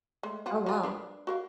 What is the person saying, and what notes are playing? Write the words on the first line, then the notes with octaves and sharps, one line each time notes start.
Oh, wow.
G#3 A3
F3 F4 F#4
F#3 F4
D4 A#4 B4
F#4 A#4 F5